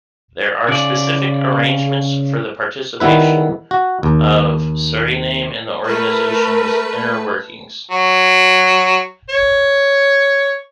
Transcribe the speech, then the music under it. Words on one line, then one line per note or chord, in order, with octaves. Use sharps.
There are specific arrangements for the participation of Suriname in the organisation's inner workings.
C#3 D5
D#3 G3 B3 E4 B4
F#4
D#2
A3 A#4 B4
F#3
C#5